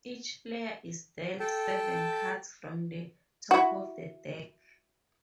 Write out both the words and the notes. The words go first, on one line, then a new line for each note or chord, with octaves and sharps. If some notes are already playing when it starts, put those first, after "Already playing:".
Each player is dealt seven cards from the top of the deck.
A4 G5 A5
E4 F#4